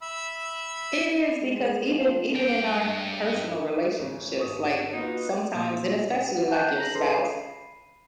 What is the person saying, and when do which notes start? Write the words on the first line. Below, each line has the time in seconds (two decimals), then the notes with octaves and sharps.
It is because even even in our personal relationships, like, sometimes and especially, like, your spouse,
0.01 E5 B5 E6
1.42 G#3
1.93 F3
2.34 G2 G5
3.99 A1 C#5
4.37 G#1 C#6 D#6
4.93 A#3 D#4 F4 F#4 B4
5.55 A#2
6.23 F#5
6.51 A5 F#6 G6
6.78 A#5 A#6 F#7
6.95 G#4 A4 B4 A5 C6 C7
7.12 B5 C7 D#7